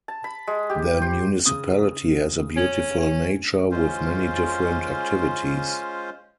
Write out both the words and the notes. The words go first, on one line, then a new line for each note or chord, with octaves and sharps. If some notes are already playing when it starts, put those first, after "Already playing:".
The municipality has a beautiful nature with many different activities.
A5
B5
G#3
G4
C5
C#3 D#6
C#4
C#4
G#3 C#4 F4 C5